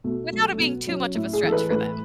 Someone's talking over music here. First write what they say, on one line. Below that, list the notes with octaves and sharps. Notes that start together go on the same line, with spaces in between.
without it being too much of a stretch for them.
B2 A3
F#3 A3
A3
B2 B3
F#3 C#4
A2 E4
G#4
E3 A4
B4
A2 B4